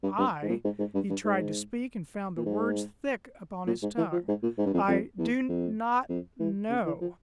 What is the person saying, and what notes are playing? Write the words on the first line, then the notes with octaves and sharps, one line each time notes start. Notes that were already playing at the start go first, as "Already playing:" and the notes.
"I--" He tried to speak, and found the words thick upon his tongue. "I--do not--know."
G2
G2
G#2
A#2
G#2
G#2
G2
G2
G#2
A#2
G#2
A#2
G#2
E3
F3
G#2
A#2
G#2
G2
F2
F2
E2
F2
F2
E3
C#3
E3
F3